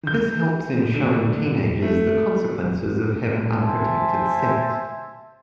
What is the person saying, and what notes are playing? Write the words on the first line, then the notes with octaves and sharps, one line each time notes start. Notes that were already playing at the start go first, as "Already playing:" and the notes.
This helps in showing teenagers the consequences of having unprotected sex.
G6
D3
A3
C5 E5 G#5 A5